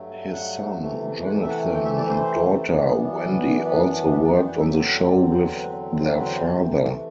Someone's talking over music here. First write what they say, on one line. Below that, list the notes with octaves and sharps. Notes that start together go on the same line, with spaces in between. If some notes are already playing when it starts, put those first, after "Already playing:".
His son, Jonathan, and daughter, Wendy, also worked on the show with their father.
Already playing: G2 F#3 A3
F#5
C3 E3 A3
F#5
E5
F#5
G5
E5
D5
C5
F#2 E3 B3 D4
A4
B4
B4
D5
G5
F#5
E2 D3 F#3 C4 E5
D5
C5
B4
D5
C5
B4
C5
C3 E3 A3